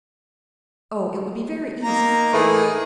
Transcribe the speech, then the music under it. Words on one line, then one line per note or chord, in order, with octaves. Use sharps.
"Oh, it would be very easy!"
A#3 D#4 A#5
A2 D#3 E3 G#4